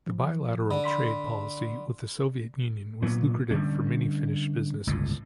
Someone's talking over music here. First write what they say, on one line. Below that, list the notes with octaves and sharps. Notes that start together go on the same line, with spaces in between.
The bilateral trade policy with the Soviet Union was lucrative for many Finnish businesses.
F3
D3 B5
B5 C6 B6
A#2 F#3 B3
D3 G3 C#4
G1 C#2 A2